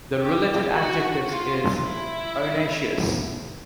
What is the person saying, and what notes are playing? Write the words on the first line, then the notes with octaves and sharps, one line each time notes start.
The related adjective is "arenaceous".
G4
F#4
F4
E4